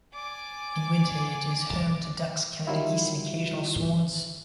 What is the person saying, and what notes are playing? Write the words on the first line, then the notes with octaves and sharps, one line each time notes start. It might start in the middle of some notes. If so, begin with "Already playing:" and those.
In winter it is home to ducks, Canada geese and occasional swans.
D5 G#5 D6
D#3 F#3 G3 E4 F4